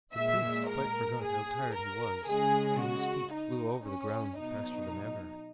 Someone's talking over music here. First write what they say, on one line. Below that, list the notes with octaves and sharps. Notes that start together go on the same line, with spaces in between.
The priest quite forgot how tired he was and his feet flew over the ground faster than ever.
A#2 G#3 E5
A#4
G#4
A#4
C#3 G#3 G#4
F#4
D#4
C#4
B2 F#3 D#4